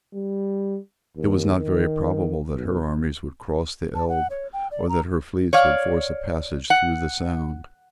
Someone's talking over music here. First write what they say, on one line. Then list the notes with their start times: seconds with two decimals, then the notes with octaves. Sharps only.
It was not very probable that her armies would cross the Elbe, or that her fleets would force a passage through the Sound.
0.13 G3
1.16 D#2
1.58 D#3
2.54 B1
3.95 A5
4.09 F#5
4.30 C#5
4.53 G5
4.71 D5
4.89 A#5
5.53 C#5 D5 F5
6.70 F#5